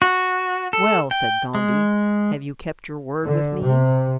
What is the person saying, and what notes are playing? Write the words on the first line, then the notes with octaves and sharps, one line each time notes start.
"Well," said Gondy, "have you kept your word with me?"
F#4
A4
G5
G#3
D3
C3